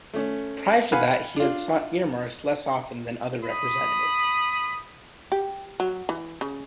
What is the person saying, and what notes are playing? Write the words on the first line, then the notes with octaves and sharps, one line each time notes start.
Prior to that he had sought earmarks less often than other representatives.
A3 C#4
B4 F5 F#5 G#5 B5
D4 F4
B5 D#6
G4
F#3
E3
C#3